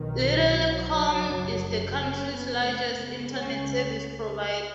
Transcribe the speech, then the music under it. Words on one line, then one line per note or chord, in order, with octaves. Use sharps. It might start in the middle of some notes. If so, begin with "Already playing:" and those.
Lattelecom is the country's largest internet service provider.
Already playing: B1 B2 D#3
F#3
F#1 F#2 C#3
C#4
B3
A3
C#2 C#3 B3
C#4